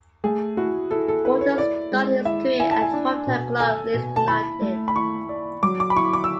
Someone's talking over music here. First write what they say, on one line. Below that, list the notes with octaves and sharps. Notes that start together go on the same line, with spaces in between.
Walton started his career at hometown club Leeds United.
A3 G#4
E4 F#4
E4 A4
A4
E4 B4
C#5
E4 D5
G#3
E4 E5
E4 G#5
A5
G#5
D4
B2
A4 G#5
B2
A5
E4 B5
A3
B5
E4 C#6
D5
F#3 D6
D6
B5
E4 C#6
D6
E6